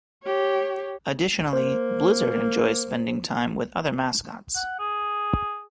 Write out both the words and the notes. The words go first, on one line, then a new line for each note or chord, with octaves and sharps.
Additionally, Blizzard enjoys spending time with other mascots.
G4 C#5
A#3 C5
F#5
G#4